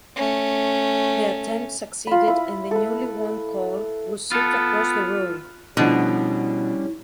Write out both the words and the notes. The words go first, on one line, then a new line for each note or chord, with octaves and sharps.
The attempt succeeded and the newly won coal was shipped across the Ruhr.
A3 C#4
F4 B5
E4
A4 B4
B4
B3 F4 A4
B2 D3 F3 G3 C#4 D4 E4